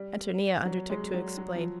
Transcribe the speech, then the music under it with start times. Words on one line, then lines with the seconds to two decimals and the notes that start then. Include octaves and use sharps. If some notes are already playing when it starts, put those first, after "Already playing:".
Antonia undertook to explain.
Already playing: G3
0.65 F#3
0.90 G#3
1.14 F#3
1.38 F#3
1.56 F3